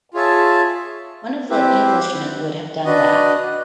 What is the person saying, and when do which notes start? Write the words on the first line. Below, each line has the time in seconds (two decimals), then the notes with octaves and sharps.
One of the Englishmen would have done that.
0.14 F4 G#4 C#5 E5 A5
1.50 C4 E4 G4 B4
2.85 D4 F#4 B4 D#5